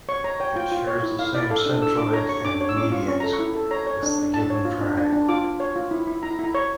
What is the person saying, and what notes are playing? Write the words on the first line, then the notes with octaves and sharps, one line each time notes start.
It shares the same centroid and medians with the given triangle.
C#5 C#6
C#5 A#5
C#5 G5
F4 G5
F4
C#5
E4
E4 F5
E4 D5
A4 F5
D4
A4 E6
D4 D6
C#5 A#5
C#5 C#6
D4 D6
C#5
E6
C#4 D6
F4 C#6
C#4 C#6
A4 A#5
C#6
E4
A4
C#5 A#5
C#5
D4
D4
D4 A5
C#5
F4
D4
D4
D4
F4 D6
F4
C#5
F4
E4
E4
E4 A#5
E4
A#5
C#5 C#6